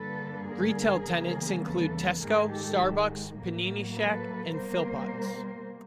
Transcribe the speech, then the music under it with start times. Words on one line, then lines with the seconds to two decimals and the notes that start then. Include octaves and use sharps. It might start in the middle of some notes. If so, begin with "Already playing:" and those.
Retail tenants include Tesco, Starbucks, Panini Shack and Philpotts.
Already playing: G2 D3 G3 A#3 A4 B4
0.47 G#4 A#4
1.06 E2 C#3 E3 G3 A#3
1.64 A4 B4
2.22 G#2 D#3 G#3 G#4 A#4
2.51 G4 A4
3.38 A2 F#3 A#3
3.96 A4 B4
4.54 B2 G3 A#3 A#4 C5